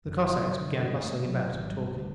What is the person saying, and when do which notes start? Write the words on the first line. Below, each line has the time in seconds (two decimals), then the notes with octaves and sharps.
The Cossacks began bustling about and talking.
0.06 F#1
0.37 F#3
0.61 D3
0.82 G2
1.04 A3
1.26 F#3
1.52 G#1
1.72 G3
1.94 D2